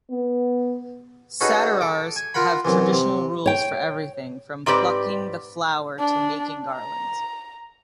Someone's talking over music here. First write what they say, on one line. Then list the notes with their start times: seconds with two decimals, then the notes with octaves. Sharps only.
Sattarars have traditional rules for everything - from plucking the flower to making garlands.
0.11 B3
1.41 C#4 D#4 F#4 G#4 A4 B4
1.81 A4 D6
2.16 G#5
2.34 F4 A#4 F#5 B5
2.65 F#2 C3 E3
2.93 C3
3.46 C#5 G5
4.66 G#2 C4 G4 B4 D5
5.99 D4
6.73 A#5